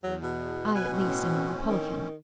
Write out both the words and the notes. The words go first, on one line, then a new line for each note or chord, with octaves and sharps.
"I, at least, am a Republican!"
E2 F#3
B2
B2 B4 G#5
A2 C4 C#4
D#3